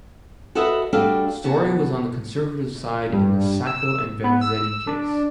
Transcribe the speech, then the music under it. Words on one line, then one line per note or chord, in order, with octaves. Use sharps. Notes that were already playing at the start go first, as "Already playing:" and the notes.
Storey was on the conservative side in the Sacco and Vanzetti case.
F#4 A4 B4 D#5 E5 F#5
G3 A3 D4 F#4 A4 F5
B2 F#4 A5
G2
E6
B3
E6
D4